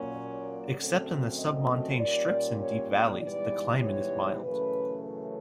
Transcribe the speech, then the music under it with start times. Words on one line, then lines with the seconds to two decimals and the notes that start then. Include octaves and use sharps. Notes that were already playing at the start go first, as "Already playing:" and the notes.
Except in the submontane strips and deep valleys, the climate is mild.
Already playing: A#2 F#3 A#3 C#4
0.17 D5
0.78 F#2 D3 F#3 A3 C4
1.38 D#5
1.99 A#2 G3 A#3 C#4 D5
2.61 C#5
2.92 D5
3.21 G#2 E3 G3 B3 D5
3.82 C#5
4.43 F#2 C#3 E3 A3 B4
5.04 B4